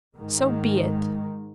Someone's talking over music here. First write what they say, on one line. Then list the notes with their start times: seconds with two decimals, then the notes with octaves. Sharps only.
So be it!
0.16 G#2 D#3 G#3